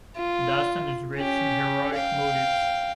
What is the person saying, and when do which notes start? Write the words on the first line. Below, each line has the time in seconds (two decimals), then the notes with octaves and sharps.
Dastan is rich in heroic motives.
0.17 F4
1.16 C#4 G4
1.95 F5 G5